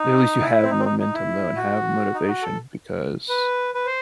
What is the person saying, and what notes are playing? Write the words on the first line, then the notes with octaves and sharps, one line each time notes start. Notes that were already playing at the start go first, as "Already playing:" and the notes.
at least you have momentum though and have motivation because,
Already playing: D#4
E4
C4
D#4
C4
D#4
D#4
E4
F#4
D#4
F#4
A4
B4
B4
C5